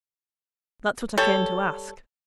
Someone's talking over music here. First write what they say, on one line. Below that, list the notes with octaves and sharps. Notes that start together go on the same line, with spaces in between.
That's what I came to ask.'
G3 A4 C#5